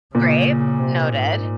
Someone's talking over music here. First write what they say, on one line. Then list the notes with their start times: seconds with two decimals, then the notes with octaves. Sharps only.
Great. Noted.
0.15 A#2 C#3
0.79 C3
1.11 G#2